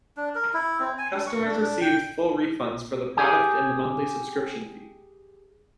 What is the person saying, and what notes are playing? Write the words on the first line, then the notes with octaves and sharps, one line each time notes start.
Customers received full refunds for the product and the monthly subscription fee.
D4
A#4
E4
C4
G#5
D4
C#6
D4
D4
G5
G4 G#4